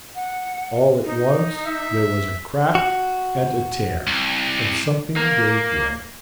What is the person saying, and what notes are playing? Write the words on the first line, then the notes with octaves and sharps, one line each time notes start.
All at once there was a crack and a tear, and something gave way.
F#5
D#4
E5
F#4
C2
A#3